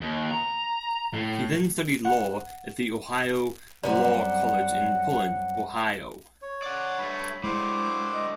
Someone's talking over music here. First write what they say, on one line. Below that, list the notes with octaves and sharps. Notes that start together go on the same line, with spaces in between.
He then studied law at the Ohio Law College in Poland, Ohio.
D#2
A#5
A2
F#5
F#2 G3 C4 D5 F#5
C#5
D5 F#5
G2 A3 B5
A2 D3 G#3 E4 C5 D6
D#5